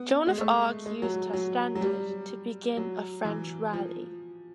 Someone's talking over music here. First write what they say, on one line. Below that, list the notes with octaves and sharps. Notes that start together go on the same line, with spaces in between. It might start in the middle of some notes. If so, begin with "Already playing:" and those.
Joan of Arc used her standard to begin a French rally.
Already playing: B3
G#3
A3
G#3
F#3
F#3
F#3
G3
F#3
E3
F3